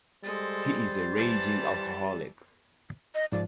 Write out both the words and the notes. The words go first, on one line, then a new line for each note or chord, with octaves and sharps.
He is a raging alcoholic.
G3 G#3 A4 C5 A6
E3 A5
D#5
G#2 F3 D5